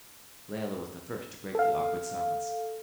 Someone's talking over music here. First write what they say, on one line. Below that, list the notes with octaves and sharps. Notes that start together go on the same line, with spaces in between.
Layelah was the first to break the awkward silence.
A4 F5